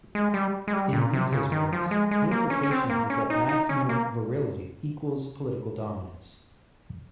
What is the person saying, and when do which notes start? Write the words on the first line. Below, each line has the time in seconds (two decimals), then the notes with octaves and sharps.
In Niessa's words, The implication is that maximum virility equals political dominance.
0.15 G#3
0.34 G3
0.68 G#3
0.73 G3
0.93 A#2
1.13 C3
1.32 C#3
1.52 D#3
1.72 F3
1.91 G#3
2.11 G#3
2.31 A#3
2.50 C#4
2.63 C#4
2.71 C4
2.89 A#3
3.10 C#4
3.30 D#4
3.49 D#4
3.69 C#4
3.89 A#3